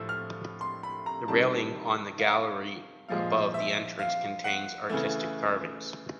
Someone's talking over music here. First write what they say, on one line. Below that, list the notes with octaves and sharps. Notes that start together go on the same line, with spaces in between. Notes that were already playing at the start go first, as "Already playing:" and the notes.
The railing on the gallery above the entrance contains artistic carvings.
Already playing: A2 F3 A3 E6
F6
C6
B5
A#5
C3 D#3 G3 A5
F5
A#2 F3 G#3 F5
E5
F5
F#5
C#3 E3 A3